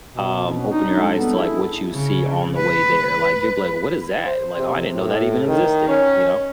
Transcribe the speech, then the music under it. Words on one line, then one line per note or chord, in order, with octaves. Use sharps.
um, open your eyes to, like, what you see on the way there, like, you'll be like, "What is that?" I'm like, "Oh, I didn't know that even existed." You know?
B2
C4 C#4 F#4
D4 D#4
G3 G#3 A4
B3 A4
B3 E4 G#4
C#3
B4
C5
C3
A2
D#3
C#4